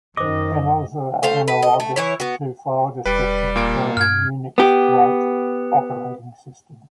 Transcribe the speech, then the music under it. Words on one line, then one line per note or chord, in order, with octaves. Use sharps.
Channels are analogous to "file descriptors" found in Unix-like operating systems.
F#2 D#3 C5 D#5 D6
A3 C5 F5
B4
D#5
A3
E3 E4 C#5
B3 F#4
E1 G3 B4
A#2 A#3 D7
G2 F6 G#6
B3 G4